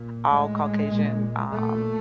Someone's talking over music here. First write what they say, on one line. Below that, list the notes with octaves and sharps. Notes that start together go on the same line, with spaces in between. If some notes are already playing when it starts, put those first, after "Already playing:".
all Caucasian, um,
Already playing: A#2
A2 G#3
A#2
A#2 A3